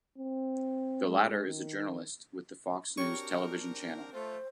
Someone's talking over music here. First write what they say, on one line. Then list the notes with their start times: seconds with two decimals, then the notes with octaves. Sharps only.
The latter is a journalist with the Fox News television channel.
0.18 C4
1.07 G#3
1.47 D#3
2.98 C4 D4 F#4 G4 A#4 C#5 C#6
4.13 A3 F4 C5